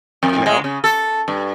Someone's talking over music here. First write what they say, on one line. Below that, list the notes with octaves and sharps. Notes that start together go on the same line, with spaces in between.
you know?
F2
G#3
C#3
A4
G2